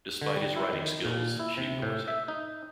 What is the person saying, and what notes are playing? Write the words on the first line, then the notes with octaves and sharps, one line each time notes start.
Despite his writing skills, she ignores him.
D3
G3
E4
D#3
A#2
E4
C3
A2
E5
D#4